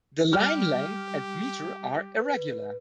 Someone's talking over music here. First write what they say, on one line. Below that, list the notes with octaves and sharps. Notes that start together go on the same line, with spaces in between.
The line length and metre are irregular.
G3 G4 F6
B4